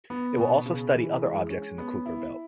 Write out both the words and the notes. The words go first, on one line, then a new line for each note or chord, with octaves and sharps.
It will also study other objects in the Kuiper belt.
B3
B2
C#3
E3
G#3
C#4
B3
E4